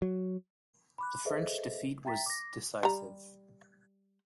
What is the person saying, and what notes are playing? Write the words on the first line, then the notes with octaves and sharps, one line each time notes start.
The French defeat was decisive.
F#3
B5 D6 F#6
G#4 A4 B4 C5 D#5 E5
E5 G5 A#5 A6 B6
D6 A#6
G3 A#5